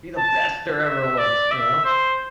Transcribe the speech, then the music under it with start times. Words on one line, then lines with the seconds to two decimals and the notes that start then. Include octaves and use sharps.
Be the best there ever was, you know?
0.17 A5
0.85 E5
1.18 D5
1.51 E5
1.85 C5